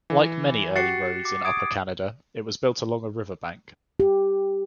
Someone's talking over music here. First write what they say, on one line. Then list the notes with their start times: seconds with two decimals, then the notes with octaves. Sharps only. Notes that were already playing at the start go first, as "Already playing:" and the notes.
Like many early roads in Upper Canada, it was built along a river bank.
0.10 E3
0.76 F#4 G4 A6 C7 C#7
1.25 D6
1.45 D#6 G#6 D7
4.00 G4